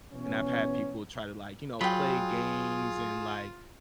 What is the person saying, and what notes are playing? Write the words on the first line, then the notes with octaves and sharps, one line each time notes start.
And I've had people try to, like, you know, play games and, like,
B2 E3 B3 C#4
F#3 F4 G#4 G5 B5